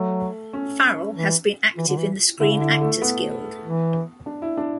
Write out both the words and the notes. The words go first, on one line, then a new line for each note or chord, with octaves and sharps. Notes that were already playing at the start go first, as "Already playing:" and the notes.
Farrell has been active in the Screen Actors Guild.
Already playing: F#3 A3
C#4
E3
E3
D3
E3
D3 E4
C#3
D3 E4
A3
B3
E3
D4
E4
D4